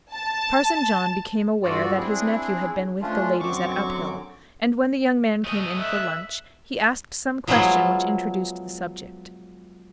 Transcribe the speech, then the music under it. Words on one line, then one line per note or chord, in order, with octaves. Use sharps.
Parson John became aware that his nephew had been with the ladies at Uphill, and when the young man came in for lunch, he asked some question which introduced the subject.
A5
G2 F4 F#4 A4 D5
C4 D4 E4 G#4
F3 A3 C#4 D4 F4
F#2 D3 F#3 C4 C#6 D6
A3 D#5
E5 F#6
F3 F#3 G#3 B3 E4 F4